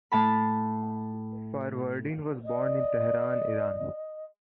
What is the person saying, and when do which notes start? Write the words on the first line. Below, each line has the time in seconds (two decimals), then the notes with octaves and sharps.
Farvardin was born in Tehran, Iran.
0.12 A2 A5 B5
2.45 D5 D#5